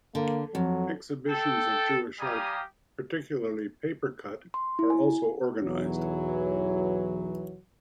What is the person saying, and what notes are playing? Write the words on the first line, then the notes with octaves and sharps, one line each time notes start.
Exhibitions of Jewish art, particularly paper-cut, are also organized.
D3 A#3
F2 F#3
A4 G5
G3 G4 F5 G#5 A#5 D#6
C6
E4
G#5
B1 E2 E3 F#3